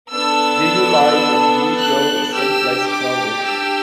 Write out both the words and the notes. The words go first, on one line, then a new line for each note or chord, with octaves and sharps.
Do you mind if we go someplace crowded?
B3 D4 A4 E6
F#6
D4 G4 E6
D6
E6